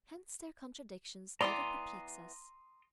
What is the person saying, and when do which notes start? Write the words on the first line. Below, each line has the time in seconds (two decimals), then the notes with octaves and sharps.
Hence their contradictions never perplex us.
1.41 E3 B3 D5 A#5 C6 D#6